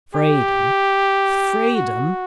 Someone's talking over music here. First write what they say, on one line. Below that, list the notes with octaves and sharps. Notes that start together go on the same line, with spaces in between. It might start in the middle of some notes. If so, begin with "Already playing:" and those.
Freedom, freedom!
G4
F#4